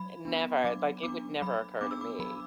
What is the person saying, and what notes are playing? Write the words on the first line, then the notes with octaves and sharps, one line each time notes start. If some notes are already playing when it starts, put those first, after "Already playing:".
Eh, never. Like, it would never occur to me.
Already playing: F#3 B5
B3 D4
F#3 D6
B3 D4 D6
F#3 B5
B3 D4 D6
E6
D6
F#3 B5